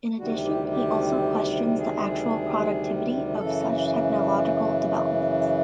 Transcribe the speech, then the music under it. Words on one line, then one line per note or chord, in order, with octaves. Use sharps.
In addition, he also questions the actual productivity of such technological developments.
D2 C3 D#3 G3 F#4
G4
G4
G#4
F#2 C#3 E3 A4